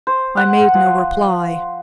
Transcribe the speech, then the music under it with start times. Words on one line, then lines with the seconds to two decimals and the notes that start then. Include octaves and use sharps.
I made no reply.
0.07 C5
0.37 F#5
0.74 F3